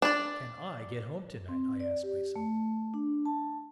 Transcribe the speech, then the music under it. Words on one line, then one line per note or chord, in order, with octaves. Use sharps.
"CAN I get home tonight?" I asked myself.
D4 D5
C4
D5
G4
A3
D4
A5